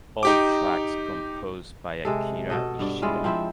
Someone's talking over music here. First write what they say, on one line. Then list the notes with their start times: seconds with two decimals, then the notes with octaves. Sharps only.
All tracks composed by Akira Ishida.
0.23 D#4 G4 D6
2.05 C3 G#3 A4
2.50 B2 A4 D#5
2.79 G2 D5
3.02 G3 G#3 E4 F4
3.24 F3 C4 E4 E5